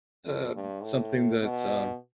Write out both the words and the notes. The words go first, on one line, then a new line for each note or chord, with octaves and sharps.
uh, something that's, um
F2
G2
A2
B2